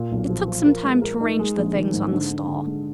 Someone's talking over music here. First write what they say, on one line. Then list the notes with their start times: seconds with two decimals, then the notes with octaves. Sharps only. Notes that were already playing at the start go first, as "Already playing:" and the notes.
It took some time to arrange the things on the stall.
Already playing: A#2
0.12 B1
0.29 F3
0.48 F3
0.65 A#4
0.84 G#3
1.02 A#4
1.21 D#4
1.39 G#3
1.57 A#1
1.75 D#3
1.93 G#2
2.12 D3
2.30 D3
2.48 D3
2.67 G#3